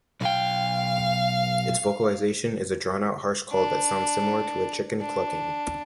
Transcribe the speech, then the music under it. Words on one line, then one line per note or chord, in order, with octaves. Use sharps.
Its vocalization is a drawn-out harsh call that sounds similar to a chicken clucking.
B1 F5 G5
D4
D4